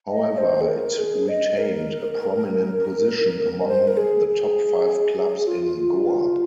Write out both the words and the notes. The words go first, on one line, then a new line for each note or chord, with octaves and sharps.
However, it retained a prominent position among the top five Clubs in Goa.
D#5
C5
G#4
A#4
G#4
D#5
A#4
D#5
C5
A#4
G#4
G#4
F4